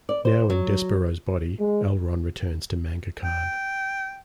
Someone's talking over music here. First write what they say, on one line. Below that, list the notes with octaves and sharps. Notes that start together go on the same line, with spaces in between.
Now in Despero's body, L-Ron returns to Manga Khan.
D5
C5
F#3
G#3
G5